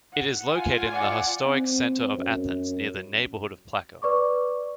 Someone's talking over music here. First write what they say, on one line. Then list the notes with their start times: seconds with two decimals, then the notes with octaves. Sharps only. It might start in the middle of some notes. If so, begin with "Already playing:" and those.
It is located in the historic center of Athens, near the neighborhood of Plaka.
0.12 F#5
0.54 F4 G#5
0.90 D5 F#5
1.47 C4
2.18 F#2
4.02 B4 D5 C#6 D6